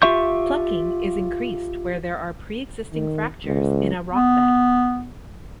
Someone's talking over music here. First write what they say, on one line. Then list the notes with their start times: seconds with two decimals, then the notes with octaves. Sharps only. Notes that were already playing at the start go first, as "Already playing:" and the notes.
Plucking is increased where there are preexisting fractures in a rock bed.
0.02 F4 G4 E5 C#6 G6
2.93 D#3
3.45 C#2
4.13 B3